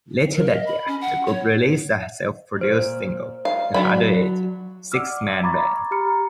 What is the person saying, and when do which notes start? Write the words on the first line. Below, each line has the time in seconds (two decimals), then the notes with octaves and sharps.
Later that year, the group released a self-produced single, the harder-edged "Six Man Band".
0.34 A#4
0.49 D#5
0.66 B5
0.87 C#4
1.01 F#5
1.27 C#5
2.61 A#2 C5
3.45 F5
3.74 F#3 D4 B5
4.92 D5 F#5 D6 E6 F6
5.43 A#5 B5 C#6 D6 G#6 A6
5.91 G4 A#5 B5 F6 C#7